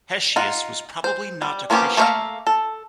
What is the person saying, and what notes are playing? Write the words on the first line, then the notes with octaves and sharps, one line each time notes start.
Hesychius was probably not a Christian.
D#4 F4 F#5
C5
G3
F3 A#3 B3 C#4 G4
A3 A#3 C5 E5 F5
A4